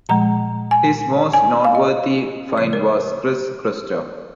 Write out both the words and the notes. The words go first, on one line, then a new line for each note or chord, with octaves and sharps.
His most noteworthy find was Chris Crutcher.
A#2 F3 G#3 A#5
G#5
G#5
F5
D#5
C#3 F3 G#3 C#5
A#4